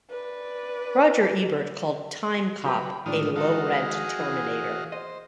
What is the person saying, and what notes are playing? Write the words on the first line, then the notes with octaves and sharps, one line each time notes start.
Roger Ebert called "Timecop" a low-rent "Terminator".
B4 D5
C#3 F#3 G4 B4 G5 B5
A2 D#3 F3 G#3 D4 D#6 F6
D#4 F#4 A4 D#5 F5
G#4
E3
C5 D#5